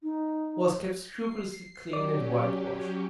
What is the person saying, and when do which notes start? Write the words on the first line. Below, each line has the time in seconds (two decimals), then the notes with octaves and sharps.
It was kept scrupulously clean and whitewashed.
0.03 D#4
1.10 C7
1.93 F#3 C#4 G4 D5